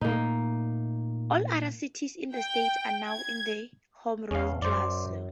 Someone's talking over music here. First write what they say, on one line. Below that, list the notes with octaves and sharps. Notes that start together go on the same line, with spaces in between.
All other cities in the state are now in the home rule class.
A#2 A3 A#3 D#4
G5
G#6
E2 C#4 F5
F#2 C5 D5